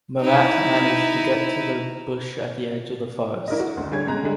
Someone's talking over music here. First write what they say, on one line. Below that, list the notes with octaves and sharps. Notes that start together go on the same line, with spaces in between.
Marat managed to get to the bush at the edge of the forest.
D#4 E4
E4 A#4 D5 D#5
F#4
F#1 D2
D3 G3 G#4 C#5 G#6
E2 C#3 G#3 A#5 F#6
D3 G3 G#3